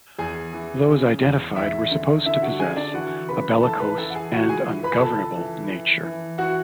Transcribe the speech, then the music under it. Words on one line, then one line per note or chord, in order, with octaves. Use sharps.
Those identified were supposed to possess a bellicose and ungovernable nature.
E2 G#4 G#5
E3
C#3
E2
E2 E4 E5
D3
D3 E4 E5
F#4 F#5
D3 G#4 G#5
D4 D5
E3 F#4 F#5
C#3 B4 B5
E3 A4 A5
B4 B5
E3 A4 A5
F#5
G#4 G#5
C#2 F#4 F#5
G#4 G#5
E3
B4 B5
G#5
C#2 A4 A5
E3
E3
E3
E3 F#4 F#5